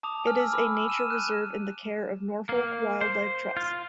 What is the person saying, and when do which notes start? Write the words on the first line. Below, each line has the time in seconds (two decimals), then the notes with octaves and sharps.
It is a nature reserve in the care of Norfolk Wildlife Trust.
0.03 A5 D6 D#6 F7
0.24 G#5 A5 F6
0.40 E6
0.53 B5 D6 E6
0.88 F6 D#7 E7
1.10 F#6 D#7 E7
2.49 A#3
3.01 C5
3.57 F4